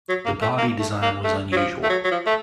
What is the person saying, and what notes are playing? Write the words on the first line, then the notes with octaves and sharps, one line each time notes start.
The body design was unusual.
F#3
A#3
A3
A#3
A3
A#3
A3
F#3
F3
A3
F#3
F#3
F3
A3